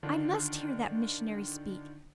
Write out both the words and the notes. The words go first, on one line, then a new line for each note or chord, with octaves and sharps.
I MUST hear that missionary speak.
D3 D#3 D4 F4